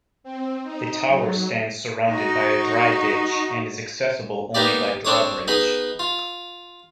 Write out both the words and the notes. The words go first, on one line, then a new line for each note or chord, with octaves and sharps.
The tower stands surrounded by a dry-ditch and is accessible only by draw-bridge.
C4
D#4
F#3
D#4 F#4
A#3 B3 D#4 G4 D5
C4 D4 C#5 D6 D#6
B3 D#4 G#4 B4
F4